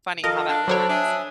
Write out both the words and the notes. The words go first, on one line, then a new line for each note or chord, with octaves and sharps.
Funny how that works.
F3 A4 A#4 D#5 F5
D4
F#3 A4 C5 C#5 B5 D6
D4 E5 G#5 D#6